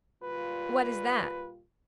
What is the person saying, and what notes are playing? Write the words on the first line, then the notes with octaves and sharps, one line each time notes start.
"What is that?"
A#2 G3 F4 B4